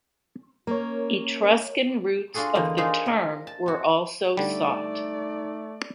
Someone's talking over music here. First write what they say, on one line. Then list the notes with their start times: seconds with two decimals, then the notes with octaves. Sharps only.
Etruscan roots of the term were also sought.
0.67 A#3 C#4 A#4 C#5
2.34 D4 F4 F#4 G#4 A4
2.55 E2 D3 A#3 D#5 G5
2.77 D4 D#4 F4 G#4 A#4 C5
3.06 A#4
3.47 A5
3.66 C4 F#4
4.37 D3 G3 A3 D#4 D5